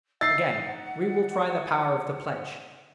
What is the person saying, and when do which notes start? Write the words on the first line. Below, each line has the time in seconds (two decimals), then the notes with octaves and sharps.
Again: we will try the power of the pledge.
0.21 D#4 E5 F#5 A6 C7